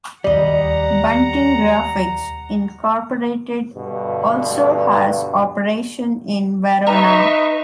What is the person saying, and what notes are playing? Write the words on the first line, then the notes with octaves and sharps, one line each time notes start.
Bunting Graphics, Incorporated also has operation in Verona.
D#2 G3 D5 D#5 F#5 A#5
G2 B2 D3
D#4 B4 E5 A#5 C#6